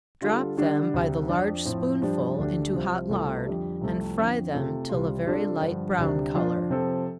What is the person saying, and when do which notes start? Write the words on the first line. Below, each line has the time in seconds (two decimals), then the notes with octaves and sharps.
Drop them by the large spoonful into hot lard, and fry them till a very light brown color.
0.21 D3 G3 F4 A4
0.57 D3 G3 D4
0.94 D2 C3 G3
1.29 F2 F3 D4
1.65 A2 F3 C4
2.02 G2 F3 D4 G4
2.38 D2 D3 A3 D4 G4
2.74 C2 C3 F3 C4 F4
3.09 C2 C3 A3 F4 A4
3.46 F2 D3 G3
3.81 C2 C3 F3 A3 C4
4.17 F2 D3 F3 C4
4.54 C3 A3 C4 F4 A4
4.89 C2 C3 G3 F4
5.25 C3 G3 D4 F4 A4
5.62 G2 D3 F3
5.98 D2 C3 G3 D4
6.33 F2 F3 D4 F4
6.69 C3 F3 C4 A4